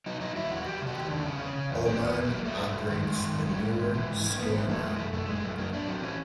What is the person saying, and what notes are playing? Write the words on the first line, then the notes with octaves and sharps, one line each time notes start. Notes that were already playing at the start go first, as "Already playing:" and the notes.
Oman operates the newer Stormer.
F#3 D#4
F#3 D#4
F#3 E4
E2 F#4
F#3 G4
C3
F#4
D#3 G4
E2 D4
C#3 C#4
C#3
C#3
E2
F#3 C4
E2 B3
E2
F#3 A#3
F#3 A3
G2
G2
D#3
G2 G#3
D#3
G2
F#3
G#2
E3
E3
G#2
E3 A#3
G#2 B3
E3 A#3
E3 A3
F#2 G#3
F#2 A3
F#2 A3
F#2 G#3
F#2 A3
F#3 A#3
F#3 D4
F#3 C4
E3 C#4